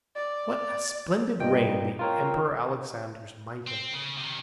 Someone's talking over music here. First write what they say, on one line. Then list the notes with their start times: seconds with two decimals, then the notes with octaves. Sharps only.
"What a splendid reign the Emperor Alexander's might have been!"
0.16 D5
1.40 G2 A#2 D#5 G5
1.99 C4 F4 A#4 C#5
3.67 C4
3.93 C#3
4.17 C3 D#3